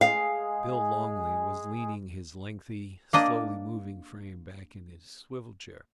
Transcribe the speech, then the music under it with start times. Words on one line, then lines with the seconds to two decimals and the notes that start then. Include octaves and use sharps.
Bill Longley was leaning his lengthy, slowly moving frame back in his swivel chair.
0.01 G#3 G#4 F5
3.13 A#3 D4 D#5